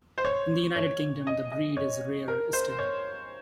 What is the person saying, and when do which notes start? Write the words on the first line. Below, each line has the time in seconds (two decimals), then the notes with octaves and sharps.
In the United Kingdom, the breed is rarer still.
0.18 C5
0.25 C#5
0.76 C#5
1.27 D#5
1.52 D#5
1.77 C#5
2.28 A#4
2.53 C5
2.79 C#5